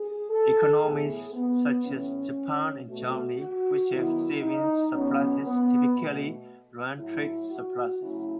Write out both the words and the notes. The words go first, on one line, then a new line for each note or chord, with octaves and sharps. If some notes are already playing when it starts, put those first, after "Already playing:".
Economies such as Japan and Germany which have savings surpluses, typically run trade surpluses.
Already playing: G#4
A4
A2 E3 B3 G#4
B3
A2 E3 B3 C#4
B2 A3 F#4
F#4
D#3 F#3 B3 E4
D#4
B2 F#3 B3 C#4
B3
B2 A3
A2 F#3 A3 E4
F#4
C#3 F#3 A3 E4